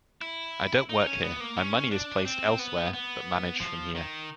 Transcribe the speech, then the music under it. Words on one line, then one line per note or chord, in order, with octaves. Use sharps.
I don't work here, my money is placed elsewhere, but managed from here.
E4
D#4
C#4
B3
A#3
C#4
D4
C4
B3
B3
F3
D#3